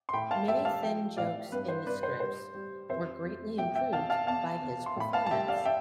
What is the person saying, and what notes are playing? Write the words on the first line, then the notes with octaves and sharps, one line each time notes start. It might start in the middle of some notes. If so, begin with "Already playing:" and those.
Many thin jokes in the scripts were greatly improved by his performance.
C6
A2 G5 B5
F5 A5
G3 E5 G5
F5 A5
F3 E5 G5
A2 D5 F5
G2 B4
C5
G2 B4 D5
C5
G3 C5
G3
F2 C5 E5
F2
B2 E5 G5
E5 G5
B2 F5 A5
F5 A5
E2 F5 A5
E2
C6
A2 B5
F5 A5
A5
G3 E5 G5
D5 F5
E5 G5